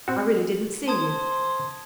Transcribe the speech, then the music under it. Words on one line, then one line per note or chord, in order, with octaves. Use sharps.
I really didn't see you.
C4 F#4
C5 A5 D#6 G#6